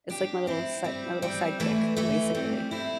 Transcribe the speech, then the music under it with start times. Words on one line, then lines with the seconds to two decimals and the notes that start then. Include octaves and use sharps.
It's like my little set my little sidekick basically.
0.10 D4 G4
0.47 C4 E4
0.84 G3 C4
1.22 G3 C4
1.60 E3 A3
1.97 E3 A3
2.35 G3 C4
2.71 C4 E4